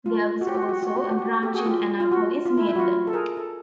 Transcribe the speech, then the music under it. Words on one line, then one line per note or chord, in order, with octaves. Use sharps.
There was also a branch in Annapolis, Maryland.
F4
F#4
G4
F#4
G4
F#4
G4
F#4
G4
F#4
G4
F#4
G4
F#4
G4 A4
F#4 G#4
F4 G4
F4
F#4
F4
E4
E4
F#4
F4
A4
G#4 A#4
A4